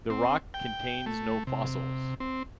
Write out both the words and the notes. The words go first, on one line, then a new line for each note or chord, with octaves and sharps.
The rock contains no fossils.
C4
G5
A3
C3
C4